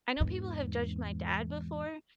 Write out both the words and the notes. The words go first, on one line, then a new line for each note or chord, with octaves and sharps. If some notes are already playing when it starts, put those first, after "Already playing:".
I know people have judged my dad before
E2 G#2